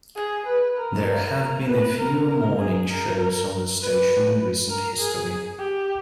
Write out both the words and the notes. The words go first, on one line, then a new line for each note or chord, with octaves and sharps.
There have been a few morning shows on the station in recent history.
G#4
B4
A#4
A#4
A#4
B4
A#4
A#4
G#4
A#4
B4
A#4
G#4
G4